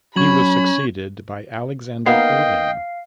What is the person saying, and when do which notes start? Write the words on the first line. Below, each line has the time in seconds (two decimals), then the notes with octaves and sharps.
He was succeeded by Alexander Irving.
0.16 F#3 C#4 B5 C#6 G#6 F#7
2.06 D#3 A#3 B3 D#5 F5 G5 C7